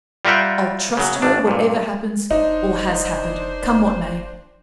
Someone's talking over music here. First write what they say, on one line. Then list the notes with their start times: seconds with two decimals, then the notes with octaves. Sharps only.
I'll trust her whatever happens or has happened, come what may.
0.25 G3 F4 A#4 E5 F#5 G5
0.97 C#3 F#3
1.22 G#1 D4
1.47 G2 A#2
2.31 F1 D4 D#4 C5